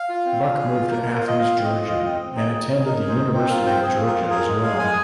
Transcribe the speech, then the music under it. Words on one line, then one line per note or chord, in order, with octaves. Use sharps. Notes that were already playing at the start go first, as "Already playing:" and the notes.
Buck moved to Athens, Georgia, and attended the University of Georgia as well.
Already playing: F5
F4
C4
F4
G#4
F4
A#3 A#4
A#3 A#4
C5
F4
D#5
F4 F5
C4
D#5
F4
F4 D#5
C4 D#5
C4
D#4 G#4
D#4
G#4
G#4
D#4 A#4
G#4
C5
D#4
C4 C5
F4 A#4
C4 C5
C4 G#4
F4
A#4
F4
G#4 A#4
G#3
G#4 F5
G#3 G#5